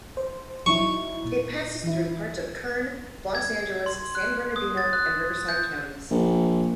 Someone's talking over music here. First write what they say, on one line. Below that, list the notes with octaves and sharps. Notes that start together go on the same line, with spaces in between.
It passes through parts of Kern, Los Angeles, San Bernardino, and Riverside counties.
C5
F#3 D#4 E4 C#6
A#2
E3 E4
G#6
C6
F#6
D#6
A6
F#6
G6
A#1